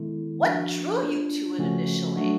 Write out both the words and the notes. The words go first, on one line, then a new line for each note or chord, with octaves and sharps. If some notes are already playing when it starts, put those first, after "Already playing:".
what drew you to it initially?
Already playing: D#3 G#3 B3 E4 A4
F3 A#3 D4 F#4 A#4
A#3 D4 F4
C#3 F3 A3 C#4 F#4
F#3 A3 D4 F#4 A4